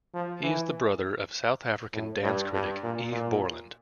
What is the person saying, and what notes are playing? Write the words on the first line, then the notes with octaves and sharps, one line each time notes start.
He is the brother of South African dance critic Eve Borland.
F3
E3
A2
G2
G2
A#2
A#2